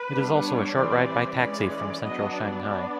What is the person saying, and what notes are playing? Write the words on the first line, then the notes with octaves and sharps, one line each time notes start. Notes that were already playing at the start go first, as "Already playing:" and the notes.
It is also a short ride by taxi from central Shanghai.
Already playing: B4
G3 B3 D4
C#5
E3 G3 C4 D5
D5
E3 G#3 C#4 D5
D5
F#3 B3 D4 D#5
D5
B3 D4